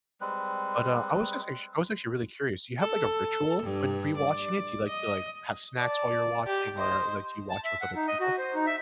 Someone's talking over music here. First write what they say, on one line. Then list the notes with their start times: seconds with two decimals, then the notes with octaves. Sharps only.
but, uh, I was just act I was actually really curious, do you have, like, a ritual when rewatching it? Do you like to like, have snacks while you're watching or, like, do you watch it with other people?
0.21 G3 G#3 C4 B4
2.80 A4
3.63 G2
4.17 D5
4.88 D#5
5.79 D5 A5
6.47 G4
6.79 C5 D#5
7.50 A5
7.64 E5
7.81 F#5
7.96 D#4
8.08 D#5
8.20 F#4
8.38 C5
8.55 D#4
8.67 E5